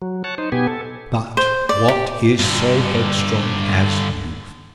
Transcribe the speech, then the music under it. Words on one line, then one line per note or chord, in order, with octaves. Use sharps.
But what is so headstrong as youth?
F#3
C#5 F#5 A5
D#4 C5
B2 B3 G4 G#5
A4
C5
D5
G4
G2 D3